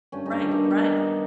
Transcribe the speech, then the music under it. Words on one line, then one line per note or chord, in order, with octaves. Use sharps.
Right, right.
G2 C#4
D#4
D4
D#3
D#4
B3
D#4